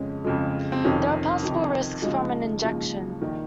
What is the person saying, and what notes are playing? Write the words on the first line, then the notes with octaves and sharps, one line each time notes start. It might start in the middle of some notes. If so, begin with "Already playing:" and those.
There are possible risks from an injection.
Already playing: F2 C#3 G#3 C#4
F2 C#3 G#3
C4
F2 C3 D#3 C#4
F2 C3 D#3
D#2 C#3 F3 G#3 D#4
D#2 C#3 F3 G#3
A#1 D#3